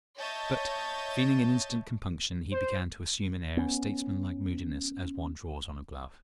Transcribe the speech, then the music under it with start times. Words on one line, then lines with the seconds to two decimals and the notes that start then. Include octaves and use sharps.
But, feeling an instant compunction, he began to assume an air of statesman-like moodiness, as one draws on a glove.
0.17 C#5 D#5 E5 A5 G6 A6
2.52 C5
3.57 B3 C#4